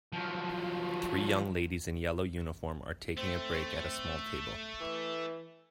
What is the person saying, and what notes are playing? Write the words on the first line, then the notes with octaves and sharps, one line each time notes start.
Three young ladies in yellow uniform are taking a break at a small table.
F3 F#3
A3 C4
E3